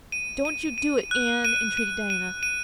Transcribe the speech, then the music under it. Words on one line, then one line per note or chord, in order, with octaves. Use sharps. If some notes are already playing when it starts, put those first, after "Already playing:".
"Don't you do it, Anne," entreated Diana.
D#7
D#7
D#7
F#6
D#7
D#7
D#7
D#7